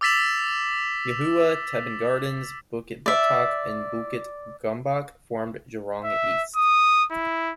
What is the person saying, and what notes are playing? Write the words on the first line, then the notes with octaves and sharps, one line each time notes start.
Yuhua, Teban Gardens, Bukit Batok and Bukit Gombak formed Jurong East.
D6 E6 A6 B6 E7 F#7
D5 E5
E5
D#6
E4